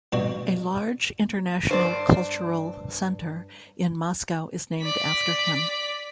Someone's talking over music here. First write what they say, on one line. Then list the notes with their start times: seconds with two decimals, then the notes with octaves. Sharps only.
A large international cultural center in Moscow is named after him.
0.13 G2 B2 F#4
1.69 G2 C5 D5
4.82 D5 B6